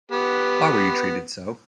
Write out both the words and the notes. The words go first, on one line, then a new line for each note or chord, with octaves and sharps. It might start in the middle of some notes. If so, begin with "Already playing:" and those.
Why were you treated so?
B3 G4 B4